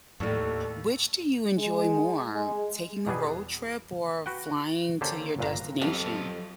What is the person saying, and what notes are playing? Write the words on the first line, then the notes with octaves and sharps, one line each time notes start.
which do you enjoy more? Taking a road trip, or flying to your destination?
D#2 A2 A3 A4 D5 C#6
G#3
G#3
E2 B2 G3 B3 G#4
F#4 B4 F#5 G5
D3 A#3 C#4 G4 A4 C5
G1 G2 A#2 B4 F5 A#5
F2 F#3 G4 A4 E5 F5